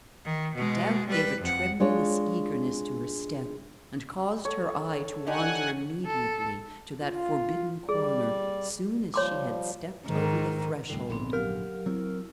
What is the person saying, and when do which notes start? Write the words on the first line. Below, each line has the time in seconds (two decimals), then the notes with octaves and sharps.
The doubt gave a tremulous eagerness to her step and caused her eye to wander immediately to that forbidden corner soon as she had stepped over the threshold.
0.25 D#3
0.55 B2 G#3
1.08 G3 B4
1.41 F2 F#5
1.80 G#3 D4 F4 C#5
4.45 A4 C#5
5.27 D4 D#4 G4 F#5 G#5
6.06 A4
7.02 F4
7.89 G3 G#4 D5
9.14 F3 G3 C#5 C6 D6
10.06 G#2 D#3
10.90 D2 A2 D3 G3
11.09 A#1 G#2 D3 B3 C4
11.33 F#3 G4 A#4 F5
11.86 F#3 C4 E4